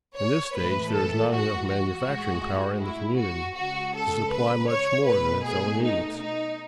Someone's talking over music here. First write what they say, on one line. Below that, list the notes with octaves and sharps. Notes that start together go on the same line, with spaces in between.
In this stage there is not enough manufacturing power in the community to supply much more than its own needs.
C#5
A2 E3 G#3 B4
A4
F#4
F#4
A2 G#3
E4
F#4
C#3 G#3 F#4
A4
B4
C#5
B2 A3 B4
G#4
D#4
D#4